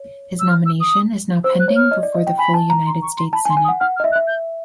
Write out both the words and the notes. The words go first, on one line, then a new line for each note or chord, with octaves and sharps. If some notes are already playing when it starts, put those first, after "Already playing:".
His nomination is now pending before the full United States Senate.
Already playing: C#5
E6
F6
E6
D#6
C5 E6
F#6
C#5
F6
D#5
D5
D#5
G5
G#5 B5
A5
A#5
C6
C#6
C6
A5 B5
G#5
C6
G#5
D#6
F#5
F#5 F6
F6
D#5
E5
F#6
E5
G6